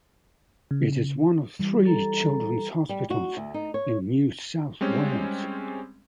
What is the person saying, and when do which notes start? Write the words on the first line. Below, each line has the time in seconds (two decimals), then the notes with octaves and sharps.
It is one of three children's hospitals in New South Wales.
0.71 C#3
1.60 E3 G3
1.85 A4 A#5
2.89 G3
3.10 F#4
3.37 D2
3.54 D#4
3.74 C#5
4.81 G3 G#3 C4 C#4